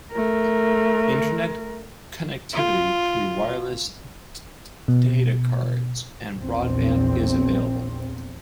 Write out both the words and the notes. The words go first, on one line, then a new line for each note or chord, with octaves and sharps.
Internet connectivity through wireless datacards and Broadband is available.
A3 A#4
F4
B2
A#1 E2 C4